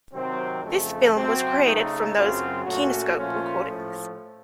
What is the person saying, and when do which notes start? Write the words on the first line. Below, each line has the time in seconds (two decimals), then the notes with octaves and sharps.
This film was created from those kinescope recordings.
0.13 C3 D#3 F#3 C4
0.63 F2 C#3 F3 A3
1.14 C3 F#3 C4 F#4
1.63 C#3 A3 D#4
2.15 F#2 C#3 F#3 C4 F4
2.64 A#2 A3 C#4 F#4
3.15 A#2 F3 A3 C#4 F4
3.65 A2 F3 A3